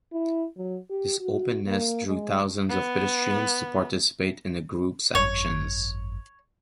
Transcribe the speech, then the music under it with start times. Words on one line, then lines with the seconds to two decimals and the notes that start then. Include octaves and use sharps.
This openness drew thousands of pedestrians to participate in the group's actions.
0.13 E4
0.57 F#3
0.90 G4
1.20 F#4
1.67 A#3
2.07 G#3
2.70 B3
5.15 G#1 F#2 C#5